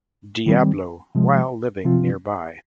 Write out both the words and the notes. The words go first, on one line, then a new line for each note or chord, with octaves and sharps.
Diablo while living nearby.
D#3 G3 C4
C3 F3 G#3
C3 F3 C4 F4